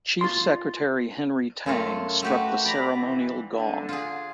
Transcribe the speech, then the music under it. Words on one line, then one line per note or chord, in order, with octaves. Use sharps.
Chief Secretary Henry Tang struck the ceremonial gong.
F4 C6
F#2 A3 F4
A3 F#4 G4 B4
D5 A#5 B5
E3
D3
F4 G#4